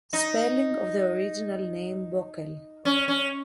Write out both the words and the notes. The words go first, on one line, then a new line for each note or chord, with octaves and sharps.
Spelling of the original name: “Bokel”.
D#4
C#4
C#4